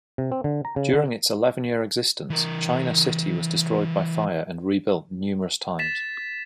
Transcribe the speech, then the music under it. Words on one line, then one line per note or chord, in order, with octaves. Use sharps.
During its eleven-year existence, China City was destroyed by fire and rebuilt numerous times.
C3
C4
D3
A#5
C#3
D3
E3 A#4
A6 B6 E7